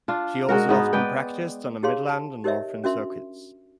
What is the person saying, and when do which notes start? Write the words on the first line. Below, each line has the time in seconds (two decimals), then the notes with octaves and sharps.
She also often practised on the Midland and Northern Circuits.
0.08 D4 F4
0.49 G#3 F#4 A#4
0.69 G#2 B3 D#4
0.93 G#3 B4 D5 G5
1.83 D#4 G4 G#4 C#5 F5 C6
2.09 A5
2.44 D#4 G4 A#4 C#5 D#5 E5
2.84 C#4 D4 F#4 A#4 E5 C6